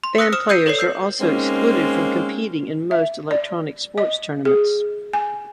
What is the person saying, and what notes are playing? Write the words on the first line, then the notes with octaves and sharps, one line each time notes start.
Banned players are also excluded from competing in most electronic sports tournaments.
C6
D#6 E6 F#6 A#6 B6 C#7
C5 D#6 F6 E7
D#6 E6 G6 C7 C#7 D#7
A4 B4 C#5 D5 C7
E6 G6 C7
G#3 A#3 C4 C#4 D#4
E5
D5
D#5
G#4
G#5